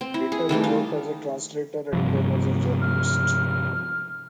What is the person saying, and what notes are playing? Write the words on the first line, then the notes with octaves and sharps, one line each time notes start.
Later he worked as a translator, then as a journalist.
C4
E4
G#4
D#3 E3 G3 A3
F5
G2 C3 F3
F6